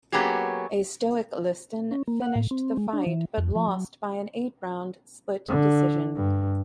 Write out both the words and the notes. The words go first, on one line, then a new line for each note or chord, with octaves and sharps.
A stoic Liston finished the fight but lost by an eight-round split decision.
F#3 A#3 B3 C#4 G4 G#4
C#4
A#3
F#5
A2
C4
G#3
D4
E3
F2
F3
F#3
D3
G2